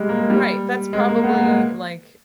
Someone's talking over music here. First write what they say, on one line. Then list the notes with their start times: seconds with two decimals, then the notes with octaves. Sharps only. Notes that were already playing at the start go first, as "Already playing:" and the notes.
Right, that's probably, like,
Already playing: G3 G#3
0.09 A#3
0.19 G#3
0.30 G3
0.93 G#3
1.09 A#3
1.24 B3
1.34 A#3
1.45 G#3